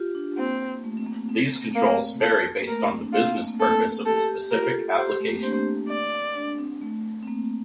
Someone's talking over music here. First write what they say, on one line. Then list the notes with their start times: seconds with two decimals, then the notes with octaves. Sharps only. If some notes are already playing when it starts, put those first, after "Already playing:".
These controls vary based on the business purpose of the specific application.
Already playing: F4 G4
0.15 D4
0.38 A#3 C4
0.84 A3
0.97 C4
1.06 A#3
1.29 C4
1.41 C4
1.53 A#3
1.64 A3
1.75 A#3
2.21 A4
2.59 A#3
2.67 A3 A#4
2.79 A#3
2.90 C4
3.02 D4
3.13 C4 F4
3.25 A#3
3.37 A3
3.48 A#3
3.60 A4
4.05 G4 A4
4.28 G4
4.51 F4 A#4
4.74 A4
4.97 G4 C5
5.20 A3
5.28 A#3
5.36 C4
5.43 D4 C5
5.89 D5
6.35 D4
6.58 C4
6.82 A3
7.23 C4
7.28 A#3